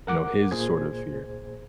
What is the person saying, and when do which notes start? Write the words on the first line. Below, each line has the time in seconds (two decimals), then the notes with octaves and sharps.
you know, his sort of fear.
0.07 A#4 F#5 D6
0.51 A#2 G#4 C5 G#6